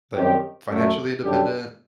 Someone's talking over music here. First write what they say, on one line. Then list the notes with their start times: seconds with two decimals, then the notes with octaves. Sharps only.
like, financially independent.
0.15 F#2 D#3 G3 C4 G4
0.69 F#2 F#3 A3
1.22 F#2 D3 G3 D4 G4